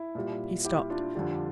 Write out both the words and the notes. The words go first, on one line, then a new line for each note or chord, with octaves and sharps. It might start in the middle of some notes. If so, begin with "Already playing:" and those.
He stopped.
Already playing: E4
A#2 G3
E4 G4
D4 F4
F2 D3 G3